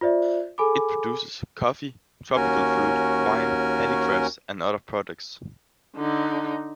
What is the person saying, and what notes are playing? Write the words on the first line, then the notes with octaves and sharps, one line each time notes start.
It produces coffee, tropical fruit, wine, handicrafts, and other products.
F4 C5 D5 E5
G#4 A4 G#5 B5 D6
D#2 C#4 F#4 A#4 G#5
D3 D#4